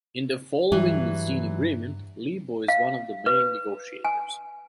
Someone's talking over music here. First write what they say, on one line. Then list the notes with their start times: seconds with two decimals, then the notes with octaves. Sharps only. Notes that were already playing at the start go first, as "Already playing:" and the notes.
In the following Misène agreement, Libo is one of the main negotiators.
0.72 G2 E3 F#3 G3
2.68 F5
3.26 B4
4.05 G#5